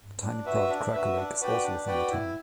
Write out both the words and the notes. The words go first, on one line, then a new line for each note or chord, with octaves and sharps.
The tiny private Cracker Lake is also within the town.
D4
F#4 B4 E5
D4
F#4 B4 E5
D4
F#4 B4 D5 G5
D4
F#4 B4 D5 G5
E4